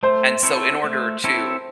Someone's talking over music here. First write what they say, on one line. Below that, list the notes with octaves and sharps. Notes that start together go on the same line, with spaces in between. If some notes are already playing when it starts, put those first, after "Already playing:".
and so, in order to
A3 C5
C4 E4 A4 C#5
A3
C4 E4 A4 C#5